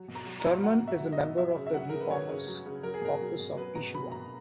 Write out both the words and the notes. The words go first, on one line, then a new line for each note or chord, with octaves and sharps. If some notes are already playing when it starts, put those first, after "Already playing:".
Thurman is a member of the ReFormers Caucus of Issue One.
Already playing: F#3
B2
A#5
F#3
A#5
B2
F#3 F#5
B2 E5
F#3
D#5
B2
F#3 E5
C#3
E5
F#3 F#5
C#3 A#4
B4
F#3 C#5
C#3
F#3
C#3
F#3 A#4
G#4
B2 A#4
F#3
B2
F#3 B4
B2 A#5
F#3 B5
B2 A#5